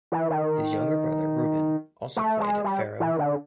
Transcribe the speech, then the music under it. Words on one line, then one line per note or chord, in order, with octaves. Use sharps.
His younger brother Ruben also played at Ferro.
E3
D#3
A3
G#3
G3
E3
D3